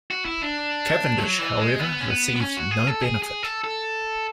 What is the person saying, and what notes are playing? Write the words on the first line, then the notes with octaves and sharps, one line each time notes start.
Cavendish, however, received no benefit.
F#4
E4
D4
F#3
E3
G#3
B3
C#4
B3
B3
C#4
F#4
G#4
A4
G#4
G#4
A4
A4